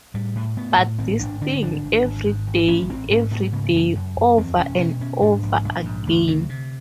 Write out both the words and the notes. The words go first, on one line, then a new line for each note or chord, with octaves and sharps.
But this thing-every day, every day, over and over again.
A2 G3
A2
A2 B3
A2
G#1 C4
G#1 D4
D3 D4
G#1 D4
G#1
G#1
G#2
G#1
A1 C#4
A1 C4
G#2 C#4
G#2 B3
C#3 A#3
A3
F#2 A#3
F#2
F#2
E2 C4
E1 C#4
B2 C#4
B2 C#4
G#2 D4
A#1
A#1
G#2
D2
C3
C3